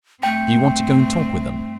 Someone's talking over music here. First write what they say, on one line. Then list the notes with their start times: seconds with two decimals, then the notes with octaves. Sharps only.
"Do you want to go and talk with them?"
0.23 G2 A3 C4 G5